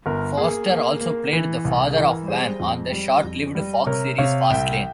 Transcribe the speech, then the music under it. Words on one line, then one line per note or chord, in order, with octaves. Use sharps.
Forster also played the father of Van on the short-lived Fox series "Fastlane".
G1 A#4
A#3 G#4
A#3
A#3
E3
C2
G#4
E3 A#4
G3 G#4 C5
F2
G3
F2
G3
C3 A#4 C#5
C3 C#5 F5
C2 E5 G5